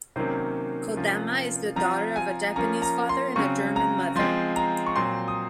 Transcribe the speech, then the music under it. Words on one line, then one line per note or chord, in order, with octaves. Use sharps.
Kodama is the daughter of a Japanese father and a German mother.
C3 D#3 F#3 A#3 C#4 C5
C3 F3 A#3 C#4
F3 C4 A#5
G#5
F3 A#3 C#4 A#5
A#5
C6
C#3 F#3 C4 C#6
A#5
F3 G#3 C4 C6
A#5
C#6
A#2 F#3 C4 C6
D#6